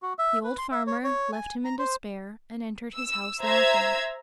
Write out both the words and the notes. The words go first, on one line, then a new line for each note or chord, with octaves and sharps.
The old farmer left him in despair, and entered his house laughing.
F#4
E5
B4
C6
E5
C#5
C#5
G#5
A#5
C5
E6
C5 E5 A#5 E6 G#6